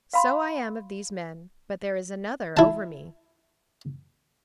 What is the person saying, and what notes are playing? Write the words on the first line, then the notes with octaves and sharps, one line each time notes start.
"So I am of these men; but there is another over me."
F5 B5 C6
E4 A5